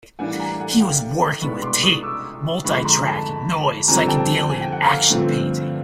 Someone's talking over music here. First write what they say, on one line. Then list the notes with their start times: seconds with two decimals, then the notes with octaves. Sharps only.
He was working with tape multi-tracking, noise, psychedelia and action painting.
0.19 A2 E3 G3 A#3 D4 F#5 G#5
0.39 G#5 A#5
0.60 F#5 G#5
0.81 F5 G5
1.41 C2 B2 G#3 B3 D4 B5 C#6
1.62 C6 D6
1.83 C#6 D#6
2.03 D6 E6
2.64 F2 D3 F3 G#3 B5 C#6
2.78 B5
2.85 A#5 C6
3.06 A5 B5
3.88 F2 D3 G3 C4 G#5 A#5
4.08 G5 A5
4.50 G#5
4.61 G5
4.72 F#5
4.84 F5 G5
5.10 G2 D3 F3 A3 C4